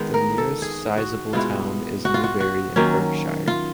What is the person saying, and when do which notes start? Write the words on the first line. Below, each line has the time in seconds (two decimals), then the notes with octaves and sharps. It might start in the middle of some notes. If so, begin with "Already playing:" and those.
The nearest sizeable town is Newbury in Berkshire.
Already playing: D#3 G#3 B3
0.14 A#4
0.38 A4
0.62 G#4
0.98 F#4
1.33 B2 G#3 B3 E4 F4
2.05 F#4
2.14 F4
2.24 F#4
2.40 F#4
2.76 D#3 F#3 A#3 C#4
3.48 F4